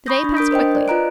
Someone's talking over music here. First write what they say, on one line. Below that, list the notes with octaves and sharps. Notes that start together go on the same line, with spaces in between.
The day passed quickly.
B5 C#6 D#6 G6 A#6
D4
D4 A#4 D#6 G6 B6 D7
A#4 C5 D#5 G5
D5
F4 B4 D#5 A#5 F#6 D7